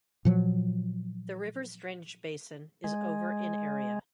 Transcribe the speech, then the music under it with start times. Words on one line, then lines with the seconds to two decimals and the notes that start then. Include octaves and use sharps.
The river's drainage basin is over in area.
0.25 A#2 F3 F#3
2.84 G#3